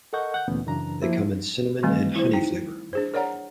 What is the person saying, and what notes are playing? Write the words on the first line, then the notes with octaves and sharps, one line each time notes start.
They come in cinnamon and honey flavor.
A4 A#4 D#5 F#5 C#6 G6
F#5 G6
D2 A#2 E3 A3 B3 C#4
F#2 C#3 E3 D4 A#5
F3 A#3 E4 C5
D#3 E3 G3 A3 C4
E4 C5
D#4 G5
D4 G#4 C5
A#4 C#5 D5 F#5 A#5